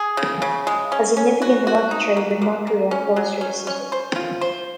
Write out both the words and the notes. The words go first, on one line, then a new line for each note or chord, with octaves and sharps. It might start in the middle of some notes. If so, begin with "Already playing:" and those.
A significant amount of trade with North Korea flows through the city.
Already playing: G#4
C#3
C#3
G#3
C#4
C#4
F#4
F#4
D#4
A#3
A#3
A#3
C#4
F#3
C#4
C#4
C5
F4
C5